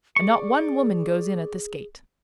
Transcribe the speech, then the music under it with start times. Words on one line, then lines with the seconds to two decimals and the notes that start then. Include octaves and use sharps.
And not one woman goes in at this gate.
0.16 G#4 D5 C#6